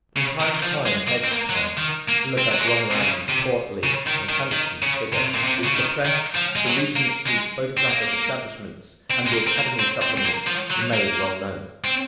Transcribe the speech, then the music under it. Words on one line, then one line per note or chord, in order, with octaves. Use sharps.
From time to time heads were turned to look at Romarin's portly and handsome figure, which the Press, the Regent Street photographic establishments, and the Academy Supplements had made well known.
C#3
D#3
F3
G#3
A#3
C4
A#3
F#3
G#3
D#3
A#3
C4
F#3
G#3
A#3
C3
C#3
C3
C#3
D#3
D#3
D#3
C#3
C3
A#2
C3
C#3
D#3
D#3
F3
G#3
F#3
A#3
G#3
C4
A#3
C4
G#3
A#3
C4
A#3
C4
C4
C4
A#3
F3
F#3
A#3
C4